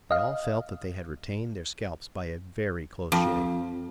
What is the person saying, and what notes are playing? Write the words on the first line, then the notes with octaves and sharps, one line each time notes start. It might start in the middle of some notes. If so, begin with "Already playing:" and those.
They all felt that they had retained their scalps by a very close shave.
D#5 F5
F2